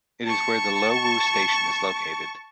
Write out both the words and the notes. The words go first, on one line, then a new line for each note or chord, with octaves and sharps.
It is where the Lo Wu Station is located.
A5 C#6